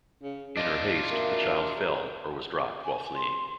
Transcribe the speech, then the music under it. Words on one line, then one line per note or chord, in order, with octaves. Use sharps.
In her haste, the child fell, or was dropped while fleeing.
C#3
D4 F4 D#5
A#3 F#4 E5 F5
G#4 A#5
G#5
C6